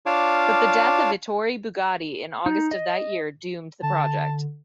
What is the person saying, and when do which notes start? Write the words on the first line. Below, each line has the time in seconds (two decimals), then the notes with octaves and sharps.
But the death of Ettore Bugatti in August of that year doomed the project.
0.06 D4 F4 C#5 F5 A5 D6
2.46 D#4
2.71 D#5
3.83 D3 A5